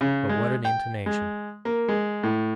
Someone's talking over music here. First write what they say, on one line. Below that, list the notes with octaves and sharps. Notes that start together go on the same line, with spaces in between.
But what an intonation!
C#3
G#3
G5
G#3
A#3
G#3
A2